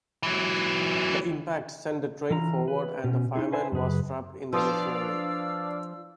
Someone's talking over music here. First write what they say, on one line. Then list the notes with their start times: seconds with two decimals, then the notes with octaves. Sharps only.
The impact sent the train forward and the fireman was trapped in the machinery.
0.23 E3 F#3
2.30 E3 F4 A#5
2.68 B4
3.04 B2 C#4
3.36 D#4 E4 G#4
3.52 B4 C5 E5 G#5 A5
3.72 F#2 C#3 G#4 B4
4.53 F3 D4 B4 D5 F5 C6 D#6 E6